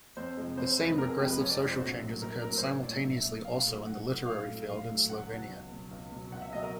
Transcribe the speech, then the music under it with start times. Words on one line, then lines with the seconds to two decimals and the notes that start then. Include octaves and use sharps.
The same regressive social changes occurred simultaneously also in the literary field in Slovenia.
0.17 F2 C5
0.37 C3 F3 G#3
0.57 F2 C5
0.72 C5
0.78 C3 F3 G#3
0.85 B4
0.98 F2 A#4
1.09 G#4
1.19 C3 F3 G#3 G4
1.30 B4
1.40 F2 C#5
1.50 D5
1.61 C3 F3 G#3
1.71 C5
1.81 A#1 F#4
2.01 A2 F#3 A#3
2.21 A#1 A#4
2.42 A2 F#3 A#3 A#4
2.58 C5
2.62 A#1 C#5
2.83 A2 F#3 A#3 D5
3.04 A#1 E5
3.25 A2 F#3 A#3
3.44 A#1 F5
3.66 A2 F#3 A3
3.86 A#1 F#5
4.06 A2 F#3 A3
4.26 A#1 F5
4.47 A2 F#3 A3
4.68 A#1 F5
4.89 A2 F#3 A3
5.09 C#2 F#5
5.30 B2 F#3
5.50 C#2
5.71 B2 F#3
5.91 C#2
6.12 B2 F#3
6.32 C#2 F#5
6.42 E5
6.53 B2 F#3 D#5
6.63 A#4